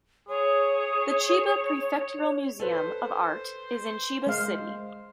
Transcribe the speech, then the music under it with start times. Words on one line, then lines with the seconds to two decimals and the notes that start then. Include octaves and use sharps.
The Chiba Prefectural Museum of Art is in Chiba City.
0.29 G#4 C#5
2.60 A4 B4 C5
4.27 G#3 F5